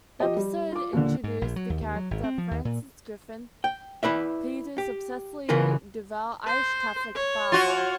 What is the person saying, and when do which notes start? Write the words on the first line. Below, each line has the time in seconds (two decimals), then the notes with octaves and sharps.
The episode introduced the character, Francis Griffin, Peter's obsessively devout Irish Catholic father.
0.20 F3 G4 D#5
0.36 G3
0.72 F4 D6
0.93 D#2 A#2 D3
1.24 G#2
1.41 A#1
1.56 F#3
1.70 D#2
1.82 D#2
1.95 F#3
2.11 G#1
2.24 C4
2.38 F3
2.51 D#2
2.65 A#2
3.64 G5
4.03 E4 B4 D5 E5
4.78 G4
5.49 C#3 E3 F4 A#4 B4
6.46 C5
7.15 C#5
7.52 F4 F#4